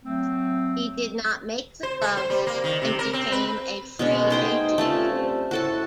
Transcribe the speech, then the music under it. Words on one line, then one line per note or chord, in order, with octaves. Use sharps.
He did not make the club and became a free agent.
F#3 A3 C4
C5
A3
C5
G3
A#3
D#3
C3
A#4
C4
B4
B2 G#3 C#4
A3 D#4 G#4 C5 G5
G2 C3 A3 C#4 F4 A5
G3 C4 C5
A2 F#4 A4 A5